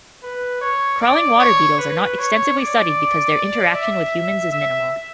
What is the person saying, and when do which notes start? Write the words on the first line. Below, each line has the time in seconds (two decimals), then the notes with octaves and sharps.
Crawling water beetles are not extensively studied because their interaction with humans is minimal.
0.23 B4
0.61 C#5
1.01 D5
1.40 C#5
1.78 B4
2.18 C#5
2.57 D5
3.75 E5
4.53 E5